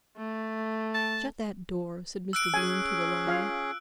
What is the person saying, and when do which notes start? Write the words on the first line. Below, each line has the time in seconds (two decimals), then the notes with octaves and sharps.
"Shut that door," said Mr. Bloom to the lawyer.
0.18 A3
0.95 A5
2.33 E6 F#6 D7
2.54 C#4 G#4 G#5
3.27 F4 F5 G#5